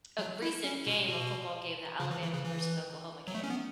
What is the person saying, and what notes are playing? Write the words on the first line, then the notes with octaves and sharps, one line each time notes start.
a recent game, a football game, the Alabama versus Oklahoma game,
F#3
E4
C#4
B2
B2
C#3
E3
E3
C#3
E3
F#3
A3
C#4
B3